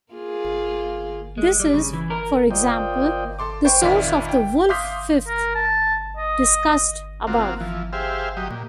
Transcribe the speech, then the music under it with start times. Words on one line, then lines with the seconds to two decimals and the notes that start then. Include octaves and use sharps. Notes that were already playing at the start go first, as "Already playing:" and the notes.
This is, for example, the source of the "wolf fifth" discussed above.
0.13 A#3 F4 G#4
1.38 G#3
1.60 G3
1.74 C#3
1.93 E3
2.10 A#4
2.51 A#3 F4 C5 D5 D#5 G5
3.39 A4 C6 D6
3.65 C5 G5 C#6
3.81 G#1 D#2 A#2 D5 E5 B6
4.29 G5
4.69 F5 C6 D6 D#6 G6 B6
5.28 A#4
5.55 A5
6.17 D#5
7.27 A#3 C4 F4 F#4
7.60 E3 F3
7.93 G4 G#4 C5 E5 F5
8.37 F#3 G4 D#5
8.50 A#2